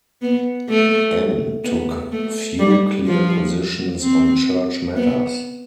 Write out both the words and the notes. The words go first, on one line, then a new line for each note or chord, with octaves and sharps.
Anne took few clear positions on church matters.
B3
A3
B3
A3
G3
F3
C4
B3